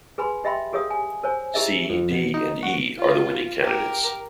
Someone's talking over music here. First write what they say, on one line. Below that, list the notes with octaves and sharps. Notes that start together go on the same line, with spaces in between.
C, D and E are the winning candidates.
G#4 B4 G#5 B5 C6
G4 D#5 E5 G5 B5 C6
G4 G#4 A#4 C#5 F5 D#6
G#5
A#4 C5 C#5 G#5
E4 G4 G#4 A#4 D#5 E5
F2
B2
D#4
F#4
F4
G4 A#4